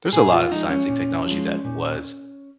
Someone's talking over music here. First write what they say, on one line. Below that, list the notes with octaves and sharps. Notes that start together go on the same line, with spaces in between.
There's a lot of science and technology that was,
A#2 G#4
F4
F3 G#3 D#4
C#4
A#2
F3 G#3
A#2